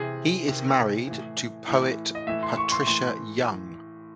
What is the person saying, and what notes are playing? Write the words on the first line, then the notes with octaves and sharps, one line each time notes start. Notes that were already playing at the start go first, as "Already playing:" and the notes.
He is married to poet Patricia Young.
Already playing: C3 E3 G#4
C3 D#3
A2 E3
A2 E3
D#5
A2 E3 E5
C6
C#6
C6
A2 E3 C6